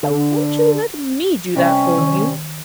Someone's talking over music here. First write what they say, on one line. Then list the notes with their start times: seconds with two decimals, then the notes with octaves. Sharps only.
Won't you let me do that for you?
0.03 D3
1.55 C3 G3 C4 C#4
1.98 D#3